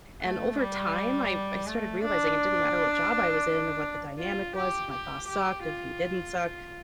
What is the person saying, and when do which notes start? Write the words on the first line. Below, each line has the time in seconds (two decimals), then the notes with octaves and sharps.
and over time I I started realizing it didn't matter what job I was in, or what the dynamic was, if my boss sucked, if he didn't suck.
0.21 A3
0.58 G3
1.66 A3
2.03 D4
4.19 F4
4.55 G4
4.91 G4
5.27 G4
5.63 F4